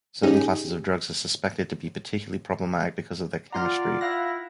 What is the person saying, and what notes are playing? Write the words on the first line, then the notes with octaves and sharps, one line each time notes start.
Certain classes of drugs are suspected to be particularly problematic because of their chemistry.
C#4 D#4 G4 G#4
F4 D5 F#5 A#5 C6 F6
E4 F5 F#6 A#6